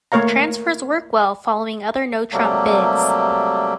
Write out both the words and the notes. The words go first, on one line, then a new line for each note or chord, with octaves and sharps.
Transfers work well following other notrump bids.
A3 A#3 A#4 C#5 F5 A#5
C3 F#3 G3 A3 A#3